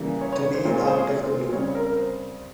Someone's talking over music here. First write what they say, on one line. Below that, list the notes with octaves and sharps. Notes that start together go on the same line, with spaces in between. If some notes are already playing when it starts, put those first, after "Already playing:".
To be out of the blue.
Already playing: C#3 E3 G3 A#3
C#5
C#5
C#5
C5
A#2 G#3 C4 C5
C#5
C5
G#4
C5
C#3 G3 C4 C#5
C5
A#4
A#4
C5